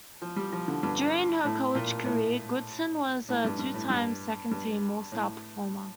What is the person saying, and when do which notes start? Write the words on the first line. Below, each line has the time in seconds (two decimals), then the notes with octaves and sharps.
During her college career, Goodson was a two-time second team All-Star performer.
0.22 F3
0.36 G3
0.52 F3
0.68 D3
0.83 G2
1.45 A2
1.75 A#2
2.05 A2
3.29 A2
3.44 G2
3.59 G2
3.74 A2
3.90 G2
4.51 G2
5.12 A2